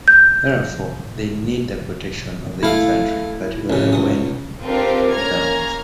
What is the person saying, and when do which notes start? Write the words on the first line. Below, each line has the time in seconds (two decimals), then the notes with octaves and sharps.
Therefore, they need the protection of the infantry, particularly when on the move.
0.08 G6
2.63 A3 E4 F5
3.70 A1 C#3
3.93 C#2 D#6
4.64 C4 D4 F4 G4 A4 A#4
5.13 A#3 C#4 A#5 F6 G#6